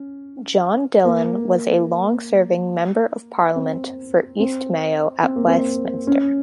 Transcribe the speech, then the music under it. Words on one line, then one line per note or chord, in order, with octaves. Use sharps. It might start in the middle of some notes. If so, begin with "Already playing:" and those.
John Dillon was a long-serving Member of Parliament for East Mayo at Westminster.
Already playing: C#4
A#3
C4
C4
C4
A#3
C4
C#4